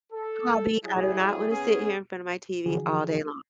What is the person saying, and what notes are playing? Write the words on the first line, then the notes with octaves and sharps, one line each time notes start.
a hobby, I do not wanna sit here in front of my TV all day long.
A4
F#3 G3 E4 G#4
B3 C#4 G#4
D3 E3 F3 F#4 G#4